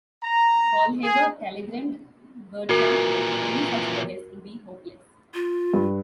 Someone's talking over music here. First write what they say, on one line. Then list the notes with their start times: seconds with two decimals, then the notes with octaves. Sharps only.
Faulhaber telegrammed Bertram that any such protest would be "hopeless".
0.23 A#5
1.04 G#4
2.69 A#2 E3 F#4 A#4
5.34 F4
5.74 G2